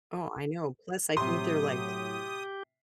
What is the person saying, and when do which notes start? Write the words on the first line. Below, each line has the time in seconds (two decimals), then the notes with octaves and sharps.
Oh, I know, plus, I think they're, like,
1.17 A2 C3 F#3 G4 C6 D#6